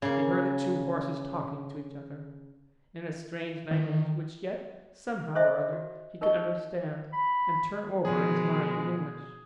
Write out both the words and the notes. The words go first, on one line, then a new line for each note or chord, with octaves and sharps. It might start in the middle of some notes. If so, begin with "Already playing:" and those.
He heard the two horses talking to each other--in a strange language, which yet, somehow or other, he could understand, and turn over in his mind in English.
C#3 A#3
D#3
A4 C5 C#5 D#5 E5 G#5
F#4
D#4 A#4 D#5 A5 C#6
B5
B2 F3 G#3 G#4